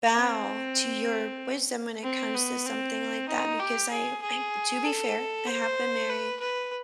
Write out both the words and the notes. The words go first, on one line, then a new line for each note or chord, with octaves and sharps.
bow to your wisdom when it comes to something like that because I I to be fair, I have been married
C4
C4
B3
C4
D#4
G4
G#4
G#4
A4
C5
B4
B4